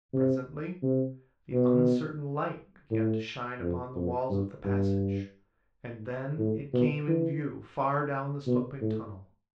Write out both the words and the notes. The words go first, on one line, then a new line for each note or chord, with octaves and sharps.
Presently the uncertain light began to shine upon the walls of the passage, and then it came in view far down the sloping tunnel.
C3
C3
B2
A2
F2
F2
G2
G2
A2
B2
E3
B2
A2